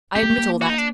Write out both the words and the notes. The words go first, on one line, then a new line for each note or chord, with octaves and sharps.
I admit all that.
C4 G4
A#3
A3
A#3
F#4
D#4
D4